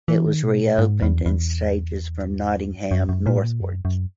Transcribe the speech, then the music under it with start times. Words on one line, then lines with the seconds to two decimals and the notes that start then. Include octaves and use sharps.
It was reopened in stages from Nottingham northwards.
0.08 E3
0.26 D#3
0.43 B2
0.61 A#2
0.79 G#2
1.02 E2
1.26 E2
2.91 F#2
3.09 F#2
3.26 A#2
3.38 G#2
3.44 A#2
3.61 F#2
3.85 F#2